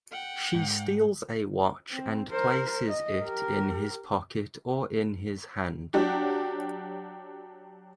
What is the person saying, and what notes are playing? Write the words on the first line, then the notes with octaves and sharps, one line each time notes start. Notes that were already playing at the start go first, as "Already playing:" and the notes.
She steals a watch and places it in his pocket or in his hand.
F#5 G5
G#2
C4
A#4 C5
D#5
G4 A#4
F#3 D4 F#4 G4